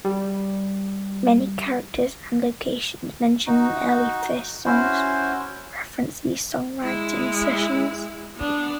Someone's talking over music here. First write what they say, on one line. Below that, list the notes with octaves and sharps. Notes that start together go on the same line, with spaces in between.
Many characters and locations mentioned in early Phish songs reference these songwriting sessions.
G3
D#4 F#4
C#4 E4 F#4 C5
G#3 E4
B3 D4